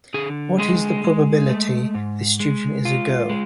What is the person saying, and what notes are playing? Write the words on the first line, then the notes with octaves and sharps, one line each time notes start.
What is the probability this student is a girl?
D3 G#4
G#3 G#4
G#3
A3
G#2
G#3
F4
G#3